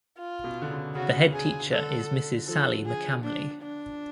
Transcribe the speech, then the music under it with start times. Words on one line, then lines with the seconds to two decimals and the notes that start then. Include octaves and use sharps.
The Head Teacher is Mrs Sally McCamley.
0.18 F4
0.44 B2
0.62 D3
0.70 C#3
0.95 C#3 F#4
1.33 G#4
1.72 D3 A4
2.48 F3 A4
2.86 G#4
3.24 D4
3.63 D4